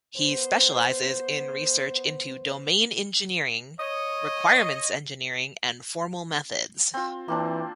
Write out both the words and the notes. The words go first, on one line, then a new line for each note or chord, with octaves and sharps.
He specializes in research into domain engineering, requirements engineering and formal methods.
B3 C5
C#5 D#5
C4 F4
E3 A#3 C4 D4